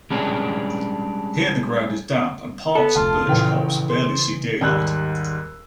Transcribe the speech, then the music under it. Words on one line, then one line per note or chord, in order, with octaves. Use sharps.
Here the ground is damp and parts of Birch Copse barely see daylight.
G3 G#3 C#4 D4 G#4
B3 A4
F1 D2 F4 A5
A#1 C#3 E3 G5 F7
G#4 C5
D#2 G#2 G3 E6 F#6